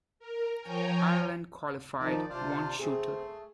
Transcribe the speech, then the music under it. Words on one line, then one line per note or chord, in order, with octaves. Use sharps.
Ireland qualified one shooter.
A#4
F3 C#5 G5 G#5 A#5
D#3 F3 D#4 D5
C3 D4 F4 C5
A3 C4 G#4